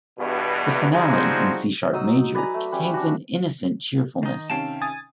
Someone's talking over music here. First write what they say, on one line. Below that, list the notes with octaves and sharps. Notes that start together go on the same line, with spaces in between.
The finale, in C-sharp major, contains an innocent cheerfulness.
E2 G2 B2
F3 G3 G#3 C4 D#4 F#4
F#3 D#4 D#6 E6
B4 D5 G#5 A#5
A3
G3 C#4 B4
D4 F#4
D#3 D#4
C3 D#3 C#4 F5 G5 A5
G#5 D#6 A6